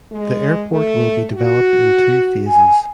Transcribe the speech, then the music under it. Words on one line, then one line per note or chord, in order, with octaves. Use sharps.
The airport will be developed in two phases.
G#3
A3
F#4
G#5